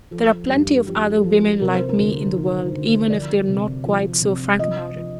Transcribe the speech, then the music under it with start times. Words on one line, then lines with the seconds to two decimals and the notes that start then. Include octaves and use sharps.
There are plenty of other women like me in the world, even if they are not quite so frank about it.
0.11 F3 A4
0.48 G2 G4
0.86 F3 G4
1.10 A4
1.24 F3
1.61 C3 A#4
1.74 C5
1.89 A#4
1.98 D2
2.36 D#3
2.73 D2
3.10 F3 D5
3.48 C3
3.84 F3
4.22 C3
4.59 F3 D#5
4.96 F3